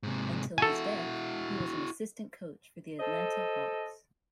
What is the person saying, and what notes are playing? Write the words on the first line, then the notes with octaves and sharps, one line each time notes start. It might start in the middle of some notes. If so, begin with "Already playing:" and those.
Until his death, he was an assistant coach for the Atlanta Hawks.
G#2 C3
E4 F#4 A4 G#5
A4 C5 D#5